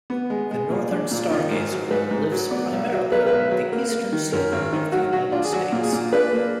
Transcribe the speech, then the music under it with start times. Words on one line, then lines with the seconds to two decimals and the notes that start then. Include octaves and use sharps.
The northern stargazer lives primarily along the eastern seaboard of the United States.
0.10 B3
0.30 G#3
0.51 G#3
0.70 A#2
0.91 D4
1.11 A#2
1.31 D#3 F4
1.51 G#2
1.71 F#3
1.91 G#2 B4
2.11 G#2
2.32 F#3
2.51 B3 D5
2.72 B1
2.92 F#3
3.12 B1 B4
3.19 A#4
3.27 B4
3.32 B1
3.51 F#3
3.73 A#3
3.92 A#3
4.12 D#3
4.32 F#2 A#4
4.52 G#1
4.73 D#3
4.92 F#3 F#4
5.13 F#3 F#4
5.32 D4 F4
5.44 G#4
5.52 F#3 F#4
5.72 A#2
5.83 G#4
5.93 A#2
6.13 D4 B4
6.33 A#3